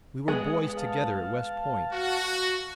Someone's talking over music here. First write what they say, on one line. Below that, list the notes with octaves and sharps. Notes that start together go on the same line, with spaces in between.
We were boys together at West Point!
G#3 B3 G#4
F5 A5
F#4